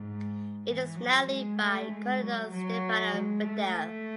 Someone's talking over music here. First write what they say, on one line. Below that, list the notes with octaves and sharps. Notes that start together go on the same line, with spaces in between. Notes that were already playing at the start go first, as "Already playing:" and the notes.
It is now led by Colonel Stefano Fedele.
Already playing: G#2
E3
F#3
G#3
A3
G#3
F#3
F#3
G#3
A3